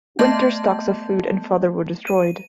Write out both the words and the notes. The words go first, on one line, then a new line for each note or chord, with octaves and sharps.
Winter stocks of food and fodder were destroyed.
A3 B3 D#5 A5 G6
D#7